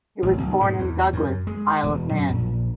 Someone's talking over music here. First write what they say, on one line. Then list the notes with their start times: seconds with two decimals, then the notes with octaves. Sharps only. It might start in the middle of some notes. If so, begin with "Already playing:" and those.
He was born in Douglas, Isle of Man.
0.23 A1
0.38 B1
0.60 G#2
0.79 E2
1.13 F#2
1.47 G#3
1.83 E1
2.09 F#2
2.28 A#1